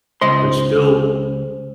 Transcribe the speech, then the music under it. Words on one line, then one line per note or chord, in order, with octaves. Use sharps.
and still
C#2 C5 D#5 C6